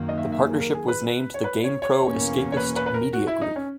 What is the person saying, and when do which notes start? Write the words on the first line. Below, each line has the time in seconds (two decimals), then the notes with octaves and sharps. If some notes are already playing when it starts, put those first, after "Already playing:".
The partnership was named the Gamepro Escapist Media Group.
Already playing: F#2 D#3 A#3
0.09 D#5
0.17 E5
0.32 E5
0.46 G#4
0.60 A#4
0.75 G#4
0.88 B4
1.34 C#5
1.44 B4
1.64 C#5
1.82 C#5
2.01 E2 B2 A#3 C#4
2.52 C#5
2.57 B4
2.76 B4
2.86 B4
2.94 A#4
3.13 F#4
3.27 E4
3.41 D#4
3.56 C#4